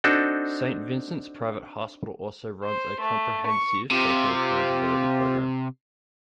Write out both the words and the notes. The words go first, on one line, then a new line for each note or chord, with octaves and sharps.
Saint Vincent's Private Hospital also runs a comprehensive social accountability program.
C4 D4 D#4 F#4 A4
C5
A3
C#6
C3 C4 F4 G4